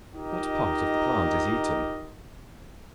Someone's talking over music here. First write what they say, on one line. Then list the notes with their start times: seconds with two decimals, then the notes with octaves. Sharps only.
What part of the plant is eaten?
0.14 D#4 F4 G4 A#4 D#5